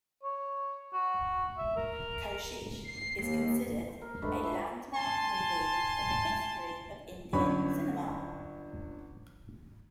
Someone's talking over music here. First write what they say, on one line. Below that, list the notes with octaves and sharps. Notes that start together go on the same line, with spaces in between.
Koshish is considered a landmark movie in the history of Indian cinema.
C#5
F#4
E5
A#4
C7
D#2
C5
A#4
G#3 A3 D4 B4
E4 C5
G#5 A5 C6
G1 F#3 C#4 B5 C#6